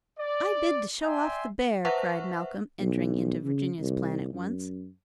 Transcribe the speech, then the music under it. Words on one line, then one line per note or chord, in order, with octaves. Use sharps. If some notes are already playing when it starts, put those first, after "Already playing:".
"I bid to show off the bear," cried Malcolm, entering into Virginia's plan at once.
D5
D5 E5 G5 G#5 C6
B4 C5 E5 F#5 C#6
B1
C#3
C2
F#2